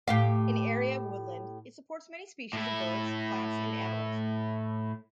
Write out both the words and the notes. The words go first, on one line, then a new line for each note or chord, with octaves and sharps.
An area of woodland, it supports many species of birds, plants, and animals.
A2 G4 F5
A2 E4